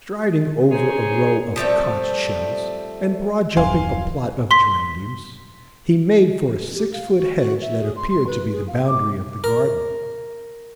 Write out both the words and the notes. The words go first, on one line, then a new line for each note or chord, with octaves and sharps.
Striding over a row of conch-shells and broad-jumping a plot of geraniums, he made for a six-foot hedge that appeared to be the boundary of the garden.
D#4 G#4 C5 C#5
F3 G3 A3 C4
D#1 F#2 F5 G#5 C6
C6 B6
G4
F5
F#4
F#4
E5
G#4
C6
C6
B4
G#4
F5
D6
A#4